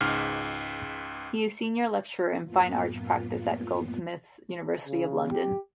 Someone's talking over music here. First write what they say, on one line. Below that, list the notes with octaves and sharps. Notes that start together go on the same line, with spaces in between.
He is a Senior Lecturer in Fine Art Practice at Goldsmiths, University of London.
C#2 G#2 F6
F#2 A2 A#3 B3 F4
C#3
G4